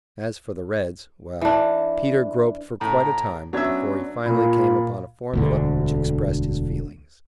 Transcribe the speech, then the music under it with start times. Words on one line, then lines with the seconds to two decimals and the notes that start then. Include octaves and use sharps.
As for the Reds--well, Peter groped for quite a time before he finally came upon a formula which expressed his feelings.
1.41 E3 D4
2.81 A2 A#5
3.53 F#3 B3 C#4 D4 E5 G#6
4.26 A#2 F4 B5
5.33 E1 D2 D3